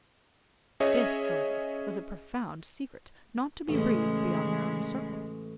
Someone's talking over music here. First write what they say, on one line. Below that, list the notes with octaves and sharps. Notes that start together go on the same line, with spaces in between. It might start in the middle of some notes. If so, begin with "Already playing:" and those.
This, however, was a profound secret, not to be breathed beyond their own circle.
C#4 G#4 C#5 D#5 E5
A1 C#3 G#3